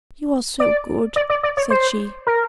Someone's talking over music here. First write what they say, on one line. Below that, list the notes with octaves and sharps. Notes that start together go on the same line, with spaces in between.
"You are so good," said she.
D5
D5
D5
D5
C#5
C5
A#4